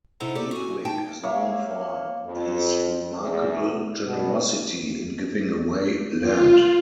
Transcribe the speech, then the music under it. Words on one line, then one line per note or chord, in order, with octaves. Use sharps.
Eadwig is known for his remarkable generosity in giving away land.
C3 D#4 E4 A4 F#5 A#5
G4 A4 D5 F#5
F#4 G#5
A#3 D#4 G5 A5
A#3 C#5 E5 F5
F2
E2
B2
F4